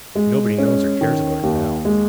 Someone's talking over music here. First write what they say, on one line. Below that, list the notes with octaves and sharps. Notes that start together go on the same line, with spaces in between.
Nobody knows or cares about it now.
G#3
C#4
D#3
D#2
G#3